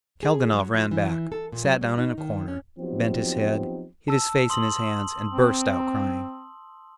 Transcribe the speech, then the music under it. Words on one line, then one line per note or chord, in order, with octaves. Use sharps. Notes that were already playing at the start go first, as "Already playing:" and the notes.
Kalganov ran back, sat down in a corner, bent his head, hid his face in his hands, and burst out crying.
G#4
F#3
F3
E3
A4
A#2
F#3
G3
D#4
D#3
C#4
F3 F#3 B3 C4 D#4 G4
A5 E6
C6 D#6 F#7
C4